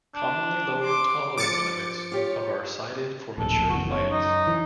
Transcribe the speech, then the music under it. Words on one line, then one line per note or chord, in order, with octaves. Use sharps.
Commonly lower tolerance limits of are cited for mature plants.
D4
C6 D6
F3 D6 A6 C#7
F4 G4 C#5
D1 A#1 A4
F#1 B1 E2 F#4
F#2 C#5
D#4
E3